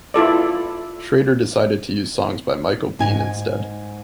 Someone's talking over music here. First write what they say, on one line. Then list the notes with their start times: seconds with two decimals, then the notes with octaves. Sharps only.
Schrader decided to use songs by Michael Been instead.
0.14 E4 F4 A4 D5
2.99 G#2 G#5